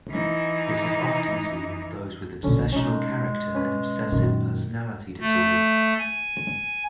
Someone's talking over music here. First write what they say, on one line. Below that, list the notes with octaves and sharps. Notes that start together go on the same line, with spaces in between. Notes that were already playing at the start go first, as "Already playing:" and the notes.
This is often seen in those with obsessional character and obsessive personality disorders.
E3 D#4
B1 A#2 D3 C#4
B2 G#3 C#4 D#4
C#4 B4
F#2 A#2 D#3
A3
G#5